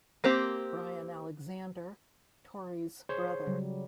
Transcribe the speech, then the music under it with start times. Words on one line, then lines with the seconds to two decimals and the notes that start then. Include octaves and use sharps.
Brian Alexander - Tory's brother.
0.24 A#3 C4 G4
3.09 G#4 C5 C#5
3.46 C#3 F#3 G3